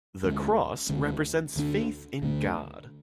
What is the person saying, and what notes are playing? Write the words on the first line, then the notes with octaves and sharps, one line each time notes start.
The cross represents faith in God.
D2 D3 G#3 C#4
D2 D3 G#3 C#4
D2 D3 A3 D4
D2 D3 A3 D4